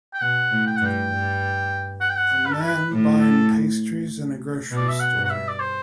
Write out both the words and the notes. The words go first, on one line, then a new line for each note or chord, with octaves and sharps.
A man buying pastries in a grocery store.
G5
B2 F#5
A2
G5
F#5
G2
G5
G2
F#5
G5
F#5
B4
A4
B4
A2
A4
B2
D5
E5
F#5
G2
F#5
E5
D5
C5